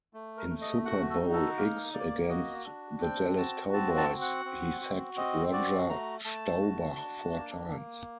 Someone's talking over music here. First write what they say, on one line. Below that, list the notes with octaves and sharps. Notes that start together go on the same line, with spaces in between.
In Super Bowl X against the Dallas Cowboys, he sacked Roger Staubach four times.
A3
A#4
A3
D#5
F#4 F#5
A4
D#4
A4
A#3 A#4
A#3 D5
F#4 D#5
D4
C4 G5
F#4 A5
C4 A5
A5
F#4
F#5
C4
F#4
C4 D#5
F#4 D5
A3 A#5
A3 A5
F#4
D4
A#3
A#3